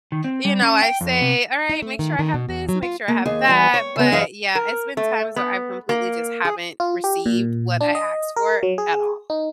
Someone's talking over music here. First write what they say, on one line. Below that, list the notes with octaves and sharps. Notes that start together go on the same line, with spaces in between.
you know, I say, "Alright, make sure I have this, make sure I have that," but, yeah, it's been times where I completely just haven't received what I asked for at all.
D#3
C4
G3
C#4
G5
F2
C3
D#4
A3
D#3
D#3
B2
E2
F#3
F4
A#3
D#2 G#4
E3 G3 G#5
C#5
C#3 B3
F#2 E3 G#4 D#5 F5
A#4
A3
B3
A#3
G#4
F4
G4
A#2
D4
D#5
A#4
F#3
G#4
D#4